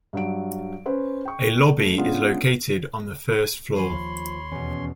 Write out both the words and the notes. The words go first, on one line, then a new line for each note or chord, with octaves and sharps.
A lobby is located on the first floor.
G2 F#3 D7
C#4 B4 C5
G5 C#6
A3
G#3 B3 C#4 D4 F4
D#2 F3 C#5 B5 C6
E2 B2 C#4